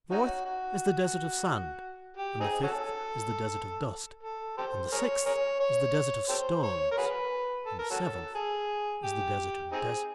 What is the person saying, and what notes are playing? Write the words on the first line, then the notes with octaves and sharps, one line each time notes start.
The fourth is the desert of sand, and the fifth is the desert of dust, and the sixth is the desert of stones, and the seventh is the Desert of Deserts.
C#4 D#4 F#4
F#4
G4
C4 D#4 G#4
C#4 F#4 A4
A4
G4 A4 C5
G#4 A#4 C#5
G#4 A#4 C#5
C#5
G4 A4 C5
C#5
A#4
F#4 G#4 B4
A4
A#4
C#4 F#4 A4
G#4
G4
C4 D#4 G#4